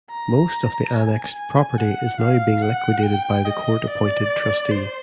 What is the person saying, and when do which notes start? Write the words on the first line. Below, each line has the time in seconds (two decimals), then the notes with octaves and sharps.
Most of the annexed property is now being liquidated by the court appointed trustee.
0.11 A#5
0.94 G#5
1.36 G#5
1.78 F#5
2.20 F5
2.62 F#5
3.04 G5
3.46 D#5
3.88 D5
4.71 C5